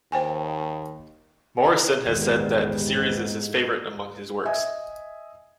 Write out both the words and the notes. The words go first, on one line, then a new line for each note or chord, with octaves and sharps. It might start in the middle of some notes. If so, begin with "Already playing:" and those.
Morrison has said that the series is his favorite among his works.
D#2 C5 G5 G#5
E1 A#1 G#2 D#3 B3 G4
D#5 E5 G#5